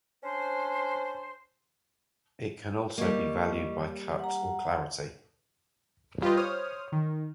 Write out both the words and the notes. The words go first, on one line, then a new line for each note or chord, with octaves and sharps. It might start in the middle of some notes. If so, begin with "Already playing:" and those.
It can also be valued by cut or clarity.
C#4 D4 C5
G3 A#3 D#5 C#6
F#5 A#5
G3 F4 G4 B4 D#5
C5 C#5 D#6 F6
D#3